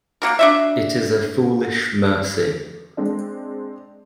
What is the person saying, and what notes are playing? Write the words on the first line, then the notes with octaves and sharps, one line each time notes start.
It is a foolish mercy.
A#3 F#4 A#4
D4 F#4 E5
G#3 C4 D4